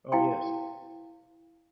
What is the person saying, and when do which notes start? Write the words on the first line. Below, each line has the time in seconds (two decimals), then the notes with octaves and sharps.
Oh, yes.
0.12 E4 F5 G5 C6